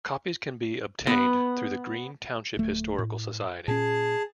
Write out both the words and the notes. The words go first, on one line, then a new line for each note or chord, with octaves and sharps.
Copies can be obtained through the Green Township Historical Society.
B3
D1 A3
A2
A#2 C#4 G#4 A5